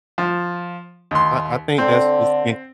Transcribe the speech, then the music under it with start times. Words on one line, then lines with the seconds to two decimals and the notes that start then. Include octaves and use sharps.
I I think that's just in
0.18 F3
1.11 D#2 C6
1.78 D3 C4